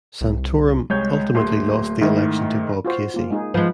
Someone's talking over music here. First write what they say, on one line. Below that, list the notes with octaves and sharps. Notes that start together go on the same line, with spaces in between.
Santorum ultimately lost the election to Bob Casey.
C2
C2 G#3 C#5 G6
D1 A3 A#3 C6
G#2 D#3 E4
F4 F#4 C5
A#3 F4
G#3 D#4 G#4
F3 G#3 B4